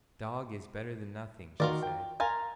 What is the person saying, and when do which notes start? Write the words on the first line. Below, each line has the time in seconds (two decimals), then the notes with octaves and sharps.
"A dog is better than nothing," she said.
1.60 D#3 F4 F#4 A#4 D5
1.82 G5
2.20 A#4 F5 G#5 A#5 C6 A6